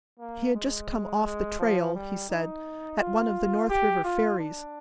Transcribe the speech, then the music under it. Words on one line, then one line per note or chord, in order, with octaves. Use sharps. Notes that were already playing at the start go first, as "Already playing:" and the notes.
He had just come off the "trail," he said, at one of the North River ferries.
A#3
G#3
G#3
F3
G3
D#4
F4
G4
F4
D4